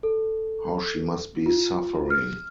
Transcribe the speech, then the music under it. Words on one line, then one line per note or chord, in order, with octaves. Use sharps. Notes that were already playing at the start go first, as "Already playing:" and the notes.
How she must be suffering!
A4
F4
F6